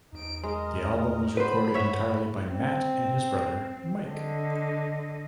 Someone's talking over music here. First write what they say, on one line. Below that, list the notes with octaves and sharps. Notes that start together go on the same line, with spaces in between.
The album was recorded entirely by Matt and his brother, Mike.
E2 D#4 D7
G#3 A#4 D#5
B4 C5 F#5 B5
G2 C#5 E5
C4
D3 D#5